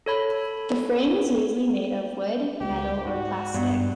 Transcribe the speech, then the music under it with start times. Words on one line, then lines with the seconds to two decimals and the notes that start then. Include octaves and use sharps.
The frame is usually made of wood, metal or plastic.
0.06 A4 C#5 B5
2.61 C#2 G4
3.05 G#2 F#4
3.54 G2 B3